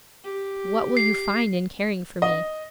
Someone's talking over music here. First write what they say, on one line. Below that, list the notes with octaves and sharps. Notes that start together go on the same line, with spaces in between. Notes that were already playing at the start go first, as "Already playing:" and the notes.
What will you find in caring for me?'
G4
C7
D#5